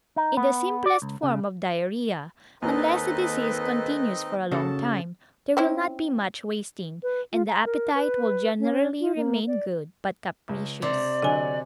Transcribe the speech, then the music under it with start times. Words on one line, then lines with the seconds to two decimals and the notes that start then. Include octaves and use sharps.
In the simplest form of diarrhoea, unless the disease continues for a long time, there will not be much wasting, and the appetite will generally remain good but capricious.
0.16 D#4
0.37 B3
0.86 D5
1.02 C#2
1.23 C#3
2.62 D#2 D#3 A#3 C4 D#4 A4 B4 D#5
4.51 C#3 F#4 A4 A5
5.57 C4 C#4 E4
7.03 B4
7.33 F4
7.48 A#5
7.65 A#4
7.95 B4
8.59 C#4
9.00 F4
9.16 A#3
9.47 D5
10.49 C#2
10.82 C3 D5
11.22 D3 F#3 D#5 G#5